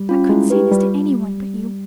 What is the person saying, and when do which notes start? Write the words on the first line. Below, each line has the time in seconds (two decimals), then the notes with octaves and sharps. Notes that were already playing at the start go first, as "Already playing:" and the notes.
I couldn't say this to any one but you.
Already playing: G3
0.09 C#4 F4
0.29 G#3 E4
0.50 G4 B4
0.71 G3 F4